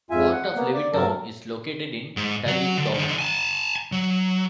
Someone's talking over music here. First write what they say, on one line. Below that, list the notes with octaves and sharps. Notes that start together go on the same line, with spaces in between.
Part of Levittown is located in Tullytown.
F2 G#2 F4 E5 G#5
F#5
A#3 B3
D5
G2 F#3 A4 A#4 A5
G#2
F#3 F#4
D3
D3 D#3
G#5 A5
F#3